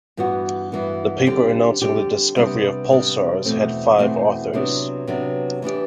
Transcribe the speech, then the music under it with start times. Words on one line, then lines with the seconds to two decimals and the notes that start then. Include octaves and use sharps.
The paper announcing the discovery of pulsars had five authors.
0.17 G2 E3 B3 F#4
0.72 G2 E3 B3 F#4
1.26 D3 G3 C4 G4
1.81 D3 G3 C4 G4
2.36 C3 G3 B3 D4
2.90 C3 G3 B3 D4
3.45 E2 B2 A3 C4
3.99 E2 B2 A3 C4
4.53 C3 F#3 B3 D4
5.07 C3 F#3 B3 D4
5.62 E3 B3 D4 G4